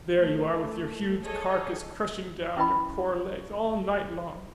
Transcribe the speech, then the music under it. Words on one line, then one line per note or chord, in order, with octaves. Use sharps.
There you are with your huge carcass crushing down your poor legs all night long.
A3
G#4 A4 C#5 D#5
C#4 E4 B4 D#5 G5 B5